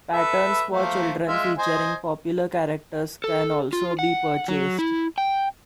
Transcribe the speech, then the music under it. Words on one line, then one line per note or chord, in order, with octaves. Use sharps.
Patterns for children featuring popular characters can also be purchased.
A4 B4 E5
F3 A3 A#3
G#3 F4 E5
C5 D#5 G#5
A4
F4
F#5
F#3
E4
G5